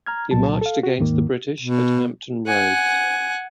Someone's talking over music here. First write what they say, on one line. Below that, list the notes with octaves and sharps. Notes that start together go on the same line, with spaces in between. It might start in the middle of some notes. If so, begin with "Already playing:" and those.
He marched against the British at Hampton Roads.
A#5 F6 G#6
C2 A#2 F#3 A5
A4 F5
F#4
D#2 G#2 D#3 A#3
B2
F#5 G#5